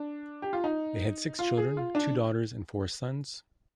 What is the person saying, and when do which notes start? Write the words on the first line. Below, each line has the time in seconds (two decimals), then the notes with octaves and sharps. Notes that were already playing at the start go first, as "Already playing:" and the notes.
They had six children: two daughters and four sons.
Already playing: D4
0.42 G4
0.53 F4
0.64 D#4
1.39 F4
1.57 G#4
1.77 F4
1.95 D4